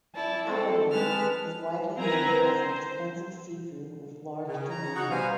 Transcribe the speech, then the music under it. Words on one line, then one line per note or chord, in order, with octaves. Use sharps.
Abalone is widely known as an expensive seafood with large demand.
E4 D5 A5
C4 A4
G#3 B4 A5 F6
C4 E4 A#4 B4 G#5 A#5
C5
C#3
A#5
D#4 F#4
B2 G3 C5 F5 G#5